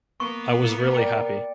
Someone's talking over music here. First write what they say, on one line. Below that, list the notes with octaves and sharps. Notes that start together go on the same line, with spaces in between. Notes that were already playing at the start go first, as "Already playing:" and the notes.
I was really happy.
A#3 B3 C#6
A#4 D5 G5 C#7